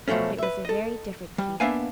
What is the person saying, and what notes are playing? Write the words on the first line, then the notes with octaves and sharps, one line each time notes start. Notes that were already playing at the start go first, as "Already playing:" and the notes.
But it was a very different Keith.
B2 F3 F#3 A3 C#4
B4 E5
A4 D#5
G3
A#3 B3 D4 E5 F5 G#5